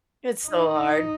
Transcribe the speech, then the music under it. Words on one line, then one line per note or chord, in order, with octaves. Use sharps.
It's so hard.
D#4